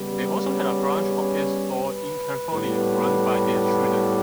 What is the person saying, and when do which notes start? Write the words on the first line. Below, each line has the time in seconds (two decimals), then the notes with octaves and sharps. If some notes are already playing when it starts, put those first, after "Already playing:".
They also had a branch of their store in California run by their children.
Already playing: C#3 G3 B3 G4
0.52 C#4
1.85 B4
2.51 A2 G3 B3